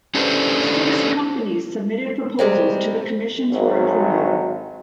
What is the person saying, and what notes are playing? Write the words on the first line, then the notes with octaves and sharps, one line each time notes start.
Six companies submitted proposals to the commission for approval.
C#4 D4 G4 A4 B4 C5
C3 G3 G#3 C4
G#1 F#3